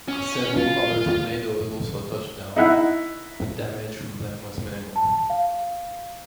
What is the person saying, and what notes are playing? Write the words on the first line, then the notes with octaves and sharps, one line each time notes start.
Several other tornadoes also touched down but damage from them was minimal.
C#4
F4
D#4 E4 F#5
A5
F5